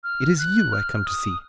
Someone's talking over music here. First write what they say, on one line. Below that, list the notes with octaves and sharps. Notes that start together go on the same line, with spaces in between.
It is you I come to see.'
F6
F#6
F6
D#6